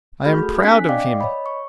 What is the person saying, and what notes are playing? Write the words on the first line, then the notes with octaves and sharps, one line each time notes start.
I am proud of him.
A3 F#4 G#4 B5 F6 G6
A4
C4 D4 G#5 F#6 B6
D5 D#5 F5 G5 D6
C#5 D#5 B5
C#6